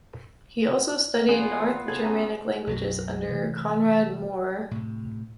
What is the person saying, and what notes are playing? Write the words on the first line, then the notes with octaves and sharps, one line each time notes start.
He also studied North Germanic languages under Konrad Maurer.
E2 B3 F4 G#4
C#3 G#4 A4
C#4 A#5 D#7
B1 F#2 F#3
C3 E3 A3
A2 C3